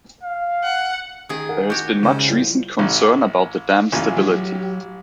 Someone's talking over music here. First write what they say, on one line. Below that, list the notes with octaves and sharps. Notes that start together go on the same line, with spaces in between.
There has been much recent concern about the dam's stability.
F5
F#5
D#3 G#4
A#4 F#5
F#4 G4 G6 G#6
C#3 G#3 C#4 C5
A2 F3 G3
A1
A1 F4 G#5
F#3 G4